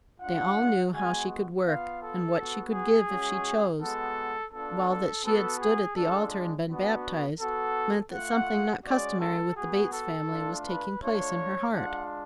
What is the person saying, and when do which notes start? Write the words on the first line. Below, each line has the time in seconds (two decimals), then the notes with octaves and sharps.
They all knew how she could work, and what she could give if she chose; while that she had stood at the altar and been baptized, meant that something not customary with the Bates family was taking place in her heart.
0.21 G#3 D4 F4 F#5
0.93 G#3 B3 F#4 G#5
1.64 B3 F4 F5
2.01 A4
2.37 B3 F#4
2.72 G#4
3.08 G#3 C#4 F#4
3.80 G#3 B3 F#4 A4
4.52 B3 D4 F4 A4
4.88 A4
5.24 B3 F#4 A4
5.60 G#4
5.96 G#3 D4 F4 A4
6.68 B3 D4 F#4
7.40 B3 F#4 A4
8.12 A3 F4 F#5
8.83 G#3 C#4 F#4 D5
9.20 A4
9.56 B3 F#4 G#4
9.92 A4
10.28 A3 D4 F4
10.64 B4
11.00 A3 D4 F4 C#5
11.72 G#3 D4 F4 F#5